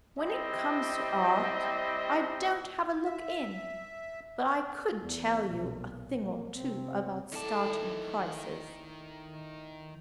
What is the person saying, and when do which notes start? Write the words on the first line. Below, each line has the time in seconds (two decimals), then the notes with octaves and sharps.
When it comes to art, I don't have a look in; but I could tell you a thing or two about starting prices.'
0.18 G3 C4 E4 D#5
3.05 E5
5.02 E2
5.47 B1 A#2
6.22 A#3
6.57 C3 C4
7.32 A2 D#3 D5 A5